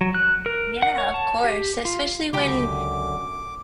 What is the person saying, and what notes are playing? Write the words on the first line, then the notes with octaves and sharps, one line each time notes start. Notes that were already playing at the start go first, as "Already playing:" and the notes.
Yeah, of course, especially when
F#3
F#6
A#4
F#5
C#5
A5
G4
F4
C#2 F#2 B2 D3 G4 G5 D6